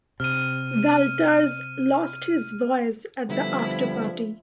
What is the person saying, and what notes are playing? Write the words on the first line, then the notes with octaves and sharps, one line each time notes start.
Valters lost his voice at the after-party.
C3 F6 D#7
D3 F3 G3 B3 E4